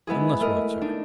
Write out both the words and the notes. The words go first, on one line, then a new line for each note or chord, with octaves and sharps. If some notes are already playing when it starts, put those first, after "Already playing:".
"Unless what, sir?"
G#3 B3 E4 G#4
A3 A#3 A#4 D#5
D4 D#4